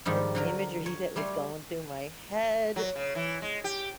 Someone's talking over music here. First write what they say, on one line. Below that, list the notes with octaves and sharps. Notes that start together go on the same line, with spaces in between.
the imagery that was going through my head,
G#2 D#3 F3 G3
D3 F#3 A#4
C#5
G3 A3 C#5 C6
F#3
C#3
E3
G#3
G4